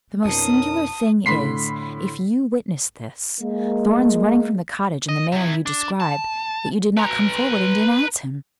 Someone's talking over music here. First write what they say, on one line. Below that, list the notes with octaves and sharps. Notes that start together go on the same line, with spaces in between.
"The most singular thing is, if you witnessed this, Thorn's running from the cottage in the manner you describe, that you did not come forward and denounce him."
F2 B2 C#4 D#4 A#4 A5 D#6
A2 D3 B5 C6 B6 C7
G#3 A#3
D#5
C3 E4
D4
A5
B4 A#5